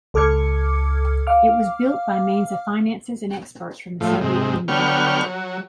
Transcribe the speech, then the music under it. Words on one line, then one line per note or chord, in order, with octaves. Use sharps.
It was built by means of finances and experts from the Soviet Union.
C#2 A4 D6 F6 G#6 C#7
F5 D6 F6
A2 F3
G#2 C3
D3 F#3 B3 G5 C#6 F6
F#3